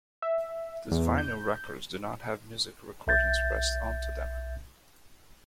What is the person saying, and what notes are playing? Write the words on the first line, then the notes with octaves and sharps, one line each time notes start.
These vinyl records do not have music recordings pressed on to them.
E5
E2
G6
B1 E5 G6 A6